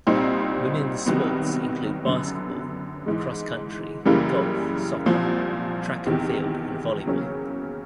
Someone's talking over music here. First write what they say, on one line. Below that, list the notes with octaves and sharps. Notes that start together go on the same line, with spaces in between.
Women's sports include basketball, cross country, golf, soccer, track and field and volleyball.
C2 A#2 G3 C4 D#4
C2 C3 D#3 F#3 B3
F#2 D3 F#3 B3
G#2 E3 G#3
F#2 C#3 E3 G3 A#3
C2 A#2 F3
E2 C3 D#3
E2 C#3 F#3 A#3 C#4